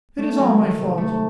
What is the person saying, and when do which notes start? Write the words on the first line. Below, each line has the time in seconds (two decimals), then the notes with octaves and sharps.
It is all my fault.
0.18 A3
0.38 F#3
0.58 D#3
0.78 C3
0.98 A3